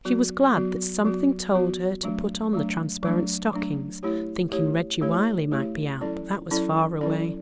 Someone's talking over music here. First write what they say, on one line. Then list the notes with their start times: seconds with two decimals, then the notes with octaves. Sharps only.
She was glad that something told her to put on the transparent stockings thinking Reggy Wylie might be out but that was far away.
0.05 F#3 B3 F#4
0.55 F#3 B3 F#4
1.05 F#3 B3 F#4
1.55 F#3 B3 F#4
2.03 F#3 A3 D4
2.53 F#3 A3 D4
3.03 F#3 A3 D4
3.53 F#3 A3 D4
4.03 A3 E4 G4 C#5
4.52 A3 E4 G4 C#5
5.01 A3 E4 G4 C#5
5.51 A3 E4 G4 C#5
6.01 F#3 C#4 E4 A4 D5
6.51 F#3 C#4 E4 A4 D5
7.01 F#3 C#4 E4 A4 D5